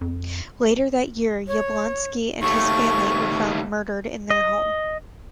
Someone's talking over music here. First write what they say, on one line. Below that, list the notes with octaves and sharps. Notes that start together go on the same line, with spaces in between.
Later that year, Yablonski and his family were found murdered in their home.
F2
C#5
D#2 A3 C#6
D#5